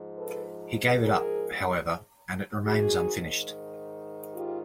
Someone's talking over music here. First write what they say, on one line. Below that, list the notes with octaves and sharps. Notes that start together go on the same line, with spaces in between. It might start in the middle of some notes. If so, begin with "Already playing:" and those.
He gave it up, however, and it remains unfinished.
Already playing: G#2 F3
A4 B4
G#4 A#4
G#2 D#3 F#4 G#4
F4 G4